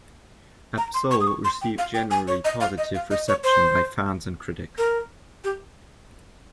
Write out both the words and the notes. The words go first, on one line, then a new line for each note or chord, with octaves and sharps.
Absol received generally positive reception by fans and critics.
A#5
C6
C#6
D#6
C#6
C6
G5
F5
G5
G#5
C#5
D#5
F5
D#5
F5
D#5
C#5
C5
A#4
G4